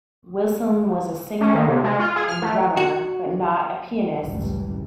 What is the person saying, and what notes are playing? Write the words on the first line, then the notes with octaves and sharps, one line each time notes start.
Wilson was a singer and drummer, but not a pianist.
C#4
D#3
C3
G#3
F4
G#4
F6
A3
F#4
G#1 C#2 F#2 A2 E3 G3